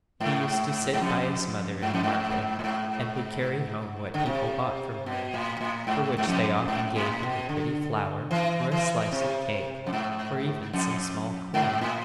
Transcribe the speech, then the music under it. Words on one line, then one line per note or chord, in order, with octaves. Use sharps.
He used to sit by his mother in the market and would carry home what people bought from her, for which they often gave him a pretty flower, or a slice of cake, or even some small coin.
G#2
G#2
F2
G#2
F2
G#2
A2
G#2
D3
C3
B2
A2
A2
G#2
G#2
F2
G#2
A2
B2
D3
E3
E3
C3
F2
G#2
F2
G#2
A2